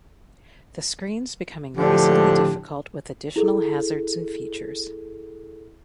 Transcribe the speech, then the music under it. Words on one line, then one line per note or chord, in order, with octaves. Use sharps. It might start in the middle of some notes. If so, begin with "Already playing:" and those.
The screens become increasingly difficult with additional hazards and features.
A2 D3 F3 D4 G4
E4 G#4 A4